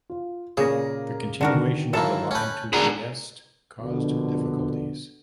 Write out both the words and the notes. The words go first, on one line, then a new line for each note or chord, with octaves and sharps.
The continuation of the line to Trieste caused difficulties.
F4
A#2 C#3 A#3 G#4 A#6
D3 D#3 F#4 A#4
F#2 E3 A#3 A4
C#4 B4 G#5 A5 G6
B3 D4 G#4 A#4
A#1 B2 D3